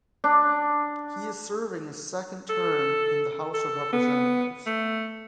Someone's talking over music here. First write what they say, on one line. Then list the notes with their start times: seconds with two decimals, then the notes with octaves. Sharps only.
He is serving his second term in the House of Representatives.
0.24 D4
2.49 A4
3.54 A4
3.93 B3
4.66 A3